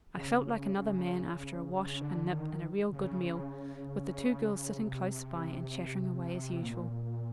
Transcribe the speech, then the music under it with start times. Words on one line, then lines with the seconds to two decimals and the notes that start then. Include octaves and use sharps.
I felt like another man after a wash, a nip, and a real good meal, with the two girls sitting close by, and chattering away as usual.
0.17 C#3
2.01 D3
2.32 D#3
2.93 C#3
4.77 C3
6.61 A#2